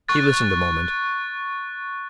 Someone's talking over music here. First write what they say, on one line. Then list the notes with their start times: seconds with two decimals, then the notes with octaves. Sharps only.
He listened a moment.
0.09 C#6 F#6 A6